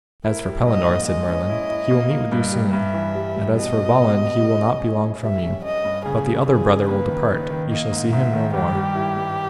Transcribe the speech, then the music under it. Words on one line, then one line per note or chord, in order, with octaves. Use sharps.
As for Pellinore, said Merlin, he will meet with you soon; and as for Balin he will not be long from you; but the other brother will depart, ye shall see him no more.
E4 A#4
G3
G#2 D#5
A#3
G#3 D#5
C#4
E4
E4
A#3
A#3
G2
G3
G2 E5
E3
G3
G3
B2 D#5
B2
B2
G3
G3
C#4
C#4
E4
G3 E5
C#4
C#4 D#5
G2
C#3 G#4
G3
E3 G#4
C#3
A#3 B4
D#3
D#3
D#3
A#3 D#5
G#2
G#2 E5
D#3
G2 G4
G3
E4
G3